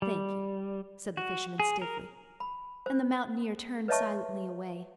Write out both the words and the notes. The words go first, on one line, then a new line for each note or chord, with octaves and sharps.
"Thank you," said the fisherman stiffly, and the mountaineer turned silently away.
G3
F#4
G#4
A#4
B5
C5
B4 C#5 D#5 E5 A5 C#6